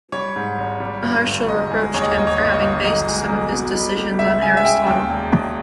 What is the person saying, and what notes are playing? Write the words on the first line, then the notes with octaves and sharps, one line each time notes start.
Maharshal reproached him for having based some of his decisions on Aristotle.
G3 C#5
G#2
G#1
G3
G2
G1
E1 D#5
G#3
D#2 C#5
D#5
C#5
G1 D#5
C#5
G2 D#5
C#5
D#5
G1 C#5
B1 D#5
G#3
B1
B2
G3
G3
C#2 E5
C#3 G#5
E5
C#3 G5
D#2 G5
E1
D#2